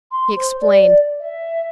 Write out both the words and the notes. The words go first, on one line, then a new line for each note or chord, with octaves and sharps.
He explained.
C6
C5
D5
E5